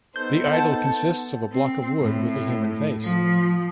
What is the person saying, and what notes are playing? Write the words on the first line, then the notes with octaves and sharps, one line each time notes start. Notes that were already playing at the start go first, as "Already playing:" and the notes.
The idol consists of a block of wood with a human face.
B3 D#4 A4 C5 G6
F#5 A5
C4
A2
F3